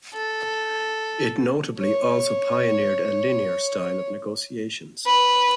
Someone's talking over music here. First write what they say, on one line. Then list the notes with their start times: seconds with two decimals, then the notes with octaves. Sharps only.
It notably also pioneered a "linear" style of negotiations.
0.14 A4
1.78 C#5
5.05 B4